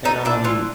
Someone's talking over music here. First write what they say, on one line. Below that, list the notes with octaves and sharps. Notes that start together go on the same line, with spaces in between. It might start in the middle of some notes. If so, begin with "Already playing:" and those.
and, um,
A3 D#4
D4 E4
E3 F4